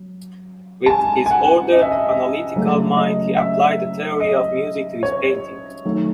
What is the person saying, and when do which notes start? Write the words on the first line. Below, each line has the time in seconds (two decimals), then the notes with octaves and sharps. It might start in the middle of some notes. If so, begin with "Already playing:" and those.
With his ordered, analytical mind, he applied the theory of music to his painting.
Already playing: F#3
0.86 A5
0.90 G#5
1.26 G#5
1.31 F#5
1.72 D#5
1.82 E5
1.92 D#5
2.55 C#3 F#3 A3
2.97 D#5
3.37 E5
4.20 D#5
5.03 C#5
5.85 D#3 F#3 A3